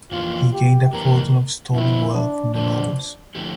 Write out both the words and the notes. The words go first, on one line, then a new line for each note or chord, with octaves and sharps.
He gained a fortune of stolen wealth from the nobles.
F2 E3 A#3 D4 F4
G4
F2 E3 A#3 D4 A#4
F2 D3 F3 C4 E4
D4
F2 D3 F3 C4 D4
D3 F3 A3 E4 G4